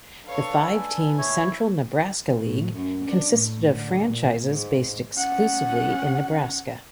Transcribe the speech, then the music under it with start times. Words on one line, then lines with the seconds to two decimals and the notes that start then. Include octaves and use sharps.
The five–team Central Nebraska League consisted of franchises based exclusively in Nebraska.
0.24 D4 A4 B4 C#5 F5
0.72 G#5
1.18 E4 C#5
2.41 A2
2.75 F#2
3.05 D4
3.34 A2
3.72 D3
4.07 A#2
4.47 G#2
5.16 C#4 F#5